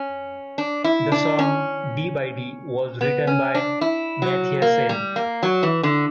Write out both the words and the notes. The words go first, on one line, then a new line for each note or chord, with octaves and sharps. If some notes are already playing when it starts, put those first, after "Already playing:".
The song "D by D" was written by Mathiassen.
Already playing: C#4
D4
E4
D4
C#4
B3
C#4
D4
E4
F#3
A#3
G3
A#3
F#3
E3
D3